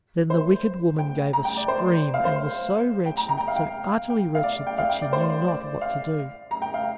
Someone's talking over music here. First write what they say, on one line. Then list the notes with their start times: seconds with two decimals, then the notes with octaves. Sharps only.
Then the wicked woman gave a scream, and was so wretched, so utterly wretched, that she knew not what to do.
0.30 C5
0.98 G5
1.33 A#5
1.45 G5
1.57 D5
1.68 C5
2.14 F5
2.25 C5
3.06 G5
3.17 A#5
3.29 A#5
3.37 G5
3.48 F5
3.56 G5
4.10 G5
4.35 F5
4.43 D5
4.66 G5
4.78 F5
4.89 G5
5.02 D5
5.13 C5
5.48 D5
5.81 F5
6.51 A#5
6.62 G5
6.74 F5